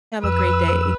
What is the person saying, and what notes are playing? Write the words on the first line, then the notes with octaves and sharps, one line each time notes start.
have a great day
F2 B4 E6